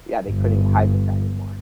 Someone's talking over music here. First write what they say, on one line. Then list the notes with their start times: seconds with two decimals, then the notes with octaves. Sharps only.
Yeah, they couldn't hide this guy anymore.
0.29 G1